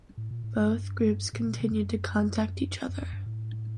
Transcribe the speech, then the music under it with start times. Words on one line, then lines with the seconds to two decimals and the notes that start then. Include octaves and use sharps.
Both groups continued to contact each other.
0.18 A2
0.31 A#2
0.44 A2
0.57 G2
1.33 A2
1.47 A#2
1.60 C3
1.72 F#2
2.89 F#2
3.01 F2
3.13 G2
3.26 A2